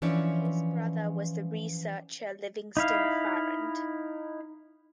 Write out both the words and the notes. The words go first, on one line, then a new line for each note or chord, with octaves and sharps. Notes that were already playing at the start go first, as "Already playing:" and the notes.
His brother was the researcher Livingston Farrand.
E3 F3 C#4 D4 E4 C#5
D#4 E4 F5